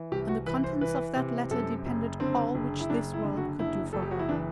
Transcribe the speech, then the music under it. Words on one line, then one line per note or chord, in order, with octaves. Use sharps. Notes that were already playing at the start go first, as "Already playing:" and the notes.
On the contents of that letter depended all which this world could do for her.
Already playing: E3
C2 G4
F#4
E3 B4
C5
E3 B4
C3
F#2 A4
F#1
D3 C4
F#1
E4
F#1 D4
E4
D3
F#4
F#1 E4
F#1 A4
G4
F#4
E4
E3 D4